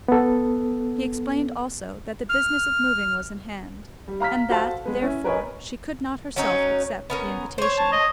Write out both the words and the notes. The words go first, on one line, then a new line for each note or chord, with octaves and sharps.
She explained also, that the business of moving was in hand, and that, therefore, she could not herself accept the invitation.
B3 A4
F6
G3
F5 A#5 F6 B6
F#4 A4 C5 F5 A5
G#3 B3
C#4 E4
A#4 B4 C#5 D#5 G#5
F#3 C#4 D#4
B3 C#4 A#4
C5 C#5
A5
D#5